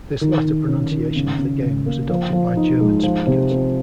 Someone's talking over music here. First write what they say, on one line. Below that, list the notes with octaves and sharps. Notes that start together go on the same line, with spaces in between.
This latter pronunciation of the game was adopted by German speakers.
D#3
D#3
C#4
D#3
C#3
C#3
C#3
A#3
F3
F3
D#4
G#3
F3
C3
C4